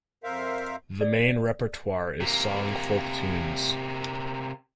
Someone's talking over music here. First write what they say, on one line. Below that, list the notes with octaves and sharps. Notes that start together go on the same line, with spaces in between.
The main repertoire is song folk-tunes.
F2 A#4 C5 E5 F5
D5
C3 A#3